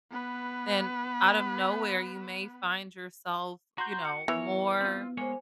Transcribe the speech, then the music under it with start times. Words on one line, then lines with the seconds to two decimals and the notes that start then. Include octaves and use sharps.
then out of nowhere, you may find yourself, you know, more
0.12 B3 B4
3.78 F#4 A#5 C6 G6
4.05 C#7
4.28 E3 B3 A#4 C#5
4.81 C4 F4
5.17 G#3 A#3 C5 C#5 G#5